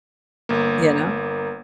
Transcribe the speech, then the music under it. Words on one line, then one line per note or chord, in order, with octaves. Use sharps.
you know?
G1 A#3